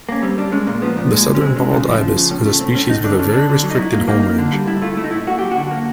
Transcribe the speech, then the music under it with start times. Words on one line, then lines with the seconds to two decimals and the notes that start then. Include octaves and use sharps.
The southern bald ibis is a species with a very restricted homerange.
0.09 A#3 C#4
0.23 G3 C4
0.38 G3 D4
0.52 G#3 C#4
0.67 A#2 A#3
0.82 F3 B3
0.97 A#2
1.12 G#3
1.27 C3
1.35 C#4
1.41 G#3 C4
1.56 G#3 C#4
1.71 C#3
1.86 F3
2.01 F3
2.16 C#3
2.30 A2 C#4
2.45 A3
2.60 A2 C4
2.71 C4
2.75 A2 C#4
2.90 D3 D#4
3.04 D3 D4
3.19 D3 C#4
3.34 D3 D4
3.50 D3
3.63 F#3
3.71 D#4
3.79 F#3 E4
3.93 A#3
4.08 A#3 D#4
4.23 A#3
4.38 D3
4.52 G3
4.67 A2 E4
4.82 A3 F4
4.97 A3 E4
5.04 D#4
5.11 A2 E4
5.27 A#3 F#4
5.39 F#3 G4
5.51 D3 F#4
5.71 A#3